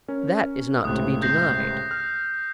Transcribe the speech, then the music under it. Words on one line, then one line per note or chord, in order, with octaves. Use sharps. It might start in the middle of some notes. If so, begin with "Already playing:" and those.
That is not to be denied.
C#4 A#4
C#2 A2 C3 D#6 F#6
G6 A#6 C7
F6